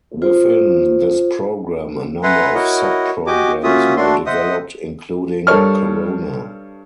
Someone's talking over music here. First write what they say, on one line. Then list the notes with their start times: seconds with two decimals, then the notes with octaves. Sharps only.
Within this program a number of sub-programs were developed including Corona.
0.22 F4 C5
2.23 B4 E5 F#5 G#5 A#5 C6
2.55 E4 F#4 A#4 C#5 D#5 F#5
3.27 F#4 G4 D#5 G#5 D6
3.63 A#3 C#4 F4 F#4 E5 D#6
3.97 A3 D4 F#4 A4 C6
4.26 C5 D#5 E5 F#5 D#6
5.47 G2 A4 A#4 C#5 F6